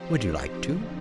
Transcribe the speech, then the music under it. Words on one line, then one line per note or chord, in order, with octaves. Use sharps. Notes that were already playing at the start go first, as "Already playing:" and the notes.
"Would you like to?"
Already playing: F3 C4 D#4 G4 C5
F2 D3 F3 C4 D#4